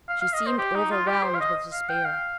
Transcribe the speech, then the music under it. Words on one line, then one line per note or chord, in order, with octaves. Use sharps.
She seemed overwhelmed with despair.
F5
F5
D#5
C5
G4
D#4
F4
G4
C5
F5
D#5
F5
G5
F5